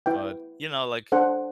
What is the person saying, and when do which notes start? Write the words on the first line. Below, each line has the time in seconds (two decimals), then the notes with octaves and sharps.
But, you know, like,
0.06 E4 B4 G5
1.12 D4 A4 C5 F#5